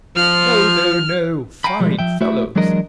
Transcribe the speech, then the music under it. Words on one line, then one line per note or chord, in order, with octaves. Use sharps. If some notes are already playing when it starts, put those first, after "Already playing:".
No, no, no! Fine fellows!
F3 F6
F5 G5 G#5 A#5 B5
B1 F3 G3 G#3
F3 E5 G5
A3 E4 F#4 E5
E3 F#3 G#3 D4 A#4 D#5